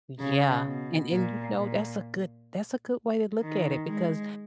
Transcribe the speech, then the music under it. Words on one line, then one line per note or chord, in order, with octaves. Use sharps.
Yeah, and and, you know, that's a good that's a good way to look at it because
C#3
B2
A#2
A#2
D#3
G#3